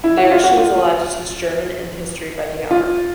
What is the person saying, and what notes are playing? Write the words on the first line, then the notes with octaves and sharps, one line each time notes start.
There she was allowed to teach German and history by the hour.
E4
F#4
F4
F#4
F4
F4